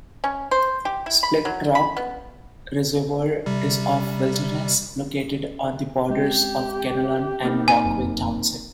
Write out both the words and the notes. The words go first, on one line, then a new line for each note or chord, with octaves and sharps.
Splitrock Reservoir is of wilderness, located on the borders of Kinnelon and Rockaway Township.
C#4
C5
G4
E4
B5
F#3
B5
B3
C3 G3
G#3 A#3 C4 G4
A#3 C4 D#4
A#2 G#5
F1 F#2